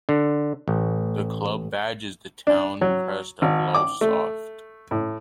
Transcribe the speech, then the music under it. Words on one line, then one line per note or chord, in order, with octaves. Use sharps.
The club badge is the town crest of Lowestoft.
D3
A1
D4
F#3
G#1
D6
A3
A2